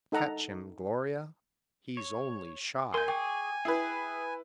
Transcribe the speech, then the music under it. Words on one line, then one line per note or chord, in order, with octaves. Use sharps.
"Catch him, Gloria; he's only shy!"...
D#4 A4 F#5 A#5
C#5
A#4 G#5 C6 G6
G#4 G5 C#6 D6
E4 G#4 B4